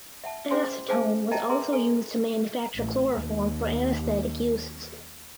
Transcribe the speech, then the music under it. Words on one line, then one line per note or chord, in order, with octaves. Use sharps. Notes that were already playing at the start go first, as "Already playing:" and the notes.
Acetone was also used to manufacture chloroform for anesthetic uses.
E5 F#5 A5
C#4 E4 G#4 C5 G#5 C6
G#4 C5 F5 G#5 A5
D#5 E5 G5 A5 A#5
G#4 A#4 B4 E5 A#5 C6
A4 G#5
A1
D#2